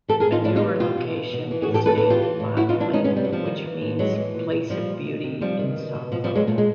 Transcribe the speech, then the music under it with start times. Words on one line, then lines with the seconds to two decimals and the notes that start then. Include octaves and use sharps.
A newer location is named Botleng, which means 'place of beauty' in Sotho.
0.08 E3 G4 A4
0.20 G#4 A#4
0.26 A2
0.32 D#4 F4
0.44 A2 D4 E4
0.56 D#4 F4
0.62 E3
0.80 B2 F4 G4
0.97 B2
1.16 B2
1.33 B2
1.51 E3
1.62 F#4 G#4
1.68 A2
1.74 G4 A4
1.86 A2 A4 B4
1.98 A4 B4
2.03 E3
2.10 F4 G4
2.22 E3
2.40 A2
2.57 A2 E4 F#4
2.69 D#4 F4
2.75 E3
2.80 D4 E4
2.93 D#3 C#4 D#4
3.04 B3 C#4
3.11 C3
3.17 G3
3.24 F#3
3.29 C3 F3 G3
3.45 D#3
3.64 E3
3.81 A2
3.99 A2 F#3 G#3
4.16 E3
4.34 A#2
4.52 A#2
4.70 A#2 F3 G3
4.89 A#2
5.06 D#3
5.23 C3
5.41 C3 F3 G3
5.59 D#3
5.76 B2
5.95 B2
6.12 B2 F3
6.24 F3 G3
6.30 B2
6.35 F#3 G#3
6.47 A#2 A3
6.58 G#3